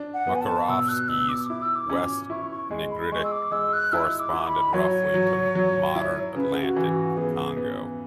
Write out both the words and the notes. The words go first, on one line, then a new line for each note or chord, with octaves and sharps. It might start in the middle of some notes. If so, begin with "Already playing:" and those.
Mukarovsky's West-Nigritic corresponded roughly to modern Atlantic-Congo.
Already playing: D4
F#5
B3
G#5
A5
B2 E6
F#6
B2 E6
D6
E4 D6
E6
D6
C#4
E4 C#6
C#6
G#3
B5
G#3 C#6
E6
D6
G#3 E6
F#6
E4 E6
D6
E4
B5
F#3 C#5
F#3
F#3
E4
C#3 B4
G#4
F#4
E3
F#4
B3 G#4
B3